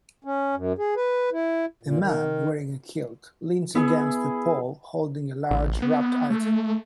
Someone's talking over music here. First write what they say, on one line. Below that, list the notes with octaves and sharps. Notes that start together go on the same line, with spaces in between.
A man wearing a kilt leans against a poll holding a large wrapped item.
C#4
F#2
G#4
B4
E4
A#2
D#3
B3 E4 G#4
A1
B3
A3